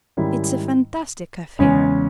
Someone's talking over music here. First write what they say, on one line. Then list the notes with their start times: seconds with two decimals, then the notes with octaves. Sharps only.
It's a fantastic affair.
0.17 G#2 D#3 G3 C#4 E4
1.59 E2 C#3 G#3 C#4